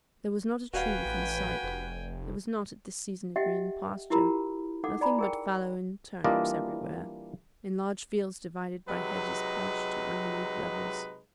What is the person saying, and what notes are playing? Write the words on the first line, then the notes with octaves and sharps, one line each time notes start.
There was not a tree within sight; there was not, at this season, a green pasture--nothing but fallow and turnips everywhere, in large fields divided by hedges plashed to unrelieved levels.
D#1 F#4 B4 F5 G5 G#5
A1
F1
G4 D#5 E5 F#5 G5
E4 F4 G4 A#4 A#5 B5
D#4 A4 F#5 D6
D5 G#5 A#5 B5
G#4 A#4 G5
E3 G3 A#3 D4 F4 D#5
C3 F#3 G#3 D#4 B4